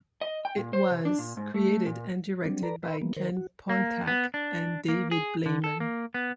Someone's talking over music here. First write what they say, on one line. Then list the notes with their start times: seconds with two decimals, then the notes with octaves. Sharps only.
It was created and directed by Ken Pontac and David Bleiman.
0.21 D#5
0.45 G5
0.57 A#2
0.73 C5
0.90 C3
1.05 D4
1.19 A#2
1.37 G#2
1.54 A3
1.86 A#2
2.45 F#3 G3 C4 D4
2.63 A4 B4 D5 A#5
2.83 B4 E5 B5 C6
3.02 E3 F3 G3 A#3 B3
3.17 D#3 A#4 C5
3.37 F#4
3.69 A#3
4.07 B3
4.34 D4
4.88 A#3
5.11 G#4
5.46 D3
5.64 A4
5.80 A#3
6.14 B3